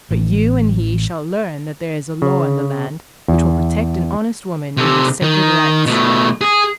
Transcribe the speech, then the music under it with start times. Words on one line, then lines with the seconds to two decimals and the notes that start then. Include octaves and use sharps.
But you and he shall learn that there is a law in the land which will protect an honest woman in her sacred rights.
0.11 A1
2.22 C#3
3.28 E2
4.77 C3 A4
5.22 D#3
5.86 B2 A3
6.41 G#4